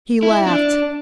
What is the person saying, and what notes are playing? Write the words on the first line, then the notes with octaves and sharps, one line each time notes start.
He laughed.
E4
D4